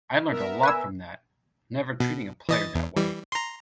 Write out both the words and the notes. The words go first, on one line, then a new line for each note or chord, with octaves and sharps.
I learned a lot from that, never treating a player that way.
B3 A#4 E5
B4 G#5 E6
B2
E3 D#5 A6
E2
E3 G3
A#5 C6